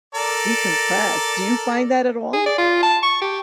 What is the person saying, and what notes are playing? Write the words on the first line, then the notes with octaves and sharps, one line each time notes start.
decompress." Do you find that at all?
A4 A#4 D5
G#4
D5
F4
A5
C#6
G4